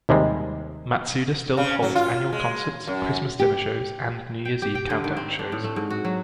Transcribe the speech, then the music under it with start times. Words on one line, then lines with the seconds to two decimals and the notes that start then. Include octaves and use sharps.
Matsuda still holds annual concerts, Christmas dinner shows and New Year's Eve Countdown shows.
0.09 D#2 C3 G3 G#3
1.57 C#3
1.83 F#3
1.95 F4
2.33 G#3
2.87 F#2
3.40 G4
4.45 G5
4.62 G4
4.75 G5
4.90 D3
5.04 D#3
5.17 C4
5.39 D4
5.52 A2
5.64 A3
5.76 G#2
5.90 F#4
6.05 F#3